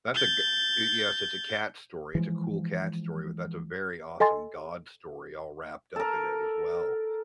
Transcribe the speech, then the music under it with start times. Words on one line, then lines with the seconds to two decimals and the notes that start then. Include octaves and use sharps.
that's a goo uh, yes, it's a cat story, it's a cool cat story, but that's a very awesome God story all wrapped up in it as well,
0.14 G6 A6
2.15 E3 F3 G#3
4.20 A4 D#5 G#5 C6 A6
5.96 A4 A#4